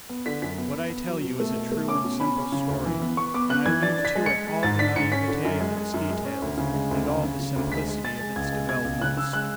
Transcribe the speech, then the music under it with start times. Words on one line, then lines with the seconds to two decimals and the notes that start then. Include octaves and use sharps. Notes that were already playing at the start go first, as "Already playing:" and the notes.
What I tell you is a true and simple story, and I leave to it all the naivete of its details and all the simplicity of its developments.
0.09 B3
0.26 D3 B6
0.42 F#2 B6
0.58 B3
0.74 B3
0.90 B3
1.07 F#3
1.24 B2
1.40 A3
1.55 B2
1.72 A3
1.88 C#4 D6
2.04 B2
2.20 C#4 B5
2.36 C#4
2.52 C#3
2.69 D2
2.86 E3
3.02 B3
3.17 B3 C#6
3.34 B3 D6
3.50 B3 F#6
3.66 E3 G#6
3.82 D4 A6
3.98 D4
4.05 B6
4.15 G#3
4.26 C#7
4.32 G#3
4.47 G#3
4.63 G#2 A6
4.79 D4 B6
4.96 G#2 C#7
5.12 C#4 B6
5.28 D3
5.45 F#2
5.60 G#3
5.77 G#3
5.94 F#2
6.10 G#3
6.25 C#4
6.42 D2
6.57 C#3
6.74 G#3
6.91 D2
7.07 C#3
7.23 C#3
7.40 C#3
7.56 D2
7.72 G#3 B6
7.88 G#3
8.04 G#3 A6
8.21 G#3
8.36 C#2 G#6
8.52 G#3
8.69 B2 G#6
8.85 C#2
9.02 C#3 F#6
9.17 C#3 E6
9.33 G#3 F#6